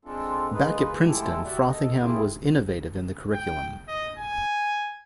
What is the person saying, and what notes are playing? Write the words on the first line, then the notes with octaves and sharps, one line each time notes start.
Back at Princeton, Frothingham was innovative in the curriculum.
G#3 C4 D4 F4 A4
G#3 A#3 D#4 F4 G#4 B4
F3 G#3 A3 E4 G4 A4
F#4 G4 D5 E5 F#5
A4 D#5
A3 A#3 E4 F4 G4 G#4
G5
D#5
G#5